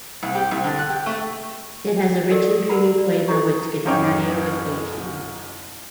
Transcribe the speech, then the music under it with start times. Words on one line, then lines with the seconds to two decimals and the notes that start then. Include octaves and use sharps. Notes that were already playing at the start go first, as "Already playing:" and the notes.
It has a rich and creamy flavor which gets nuttier with aging.
0.23 C2
0.35 G4
0.51 C2
0.64 D3
0.78 F#6
0.89 G4
1.06 A3
2.29 G4 A4 A#4 D5 D#5
2.69 A#4 B4 D5 F#5 A#5 B5
2.98 D5
3.28 C#4 E4 A4 D#5 A#5 C#6
3.85 A1 F#2 D#4 C#5 G5 D6